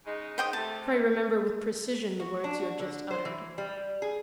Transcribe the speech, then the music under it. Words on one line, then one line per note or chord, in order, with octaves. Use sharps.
Pray remember with precision the words you have just uttered.
C#3 G#3 D#4
C5 G5 D#6
C3 A3 A5
F#4
D4
F#4
D3
C5
E3
G3
G#4